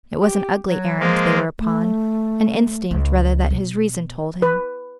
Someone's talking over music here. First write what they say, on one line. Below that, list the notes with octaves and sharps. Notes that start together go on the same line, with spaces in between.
It was an ugly errand they were upon, an instinct rather that his reason told him.
G4
F#3
F3 G#3 A#3
A3
C#2
B2
B4